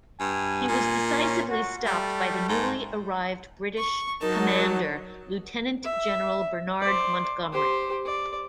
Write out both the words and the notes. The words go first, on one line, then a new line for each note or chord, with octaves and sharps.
He was decisively stopped by the newly arrived British commander, Lieutenant General Bernard Montgomery.
G2 G#5
A#2
C#4
F#4
G3 A3
G#2
C#6
F#3 D#4 A#4 A5
E5
C5 D5
G4 C5
D5